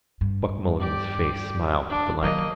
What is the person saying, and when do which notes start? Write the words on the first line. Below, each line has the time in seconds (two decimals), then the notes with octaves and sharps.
Buck Mulligan's face smiled with delight.
0.21 G2
0.80 G4 D5
1.89 D4
2.22 D#3 F#3 A#3 D#5